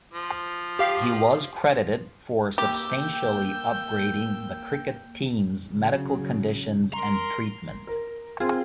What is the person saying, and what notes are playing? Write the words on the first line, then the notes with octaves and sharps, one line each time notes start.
He was credited for substantially upgrading the Cricket team's medical conditions and treatment.
F3
G4 F5
A#3 G4 G5 E6 G6
C#3 F#3
A#4 A#5 C6
A#4
C4 F4 G#4 C6